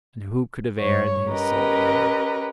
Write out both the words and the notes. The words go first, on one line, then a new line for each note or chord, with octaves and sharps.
And who could have aired his soul there!
G2 C#5
C#4 G4 A#4 B4 D#5 A#5